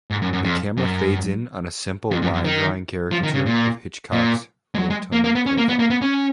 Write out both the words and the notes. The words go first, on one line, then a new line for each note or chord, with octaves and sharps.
The camera fades in on a simple line-drawing caricature of Hitchcock's rotund profile.
G#2
F#2
F#2
F2
F#2
F2
F#2
F#2
D#3
F3
D#3
C#3
A#2
A#2
G#3
F#3
G#3
A#3
A#3
B3
C#4
A#3
B3
A#3
B3
C#4